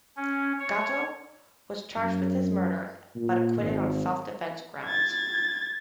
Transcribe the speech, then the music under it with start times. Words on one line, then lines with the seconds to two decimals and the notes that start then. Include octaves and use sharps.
Gatto was charged with his murder but acquitted on self-defence grounds.
0.17 C#4
0.60 C#5
1.96 F#2
3.15 A#2
3.58 G#1
4.85 G#6 A6